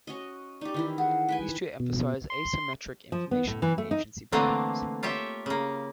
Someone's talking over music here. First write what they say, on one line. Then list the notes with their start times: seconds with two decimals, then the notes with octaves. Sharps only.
These two emphasize asymmetric information and agency problems.
0.07 C#4 F#4 D#5
0.61 D#4 G4 D5
0.74 D#3 E3 E4
0.98 G#4 F#5
1.29 B4 G5 G#5
1.80 B2
2.30 C6
3.12 F3
3.31 B3
3.47 A2
3.62 E3
3.78 A3
3.91 D#4
4.32 D3 E3 A3 A#3 C4
5.03 F4 G4 C#5 E5
5.46 C#3 A#3